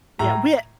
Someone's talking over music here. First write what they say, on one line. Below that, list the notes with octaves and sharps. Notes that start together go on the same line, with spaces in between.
Yeah. Wea
A2 A#5